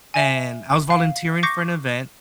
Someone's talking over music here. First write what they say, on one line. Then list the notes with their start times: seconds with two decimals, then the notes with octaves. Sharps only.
and I was volunteering for an event,
0.14 E5 G#5
0.90 F5
1.43 C#6 D6 G6 A#6 C7 C#7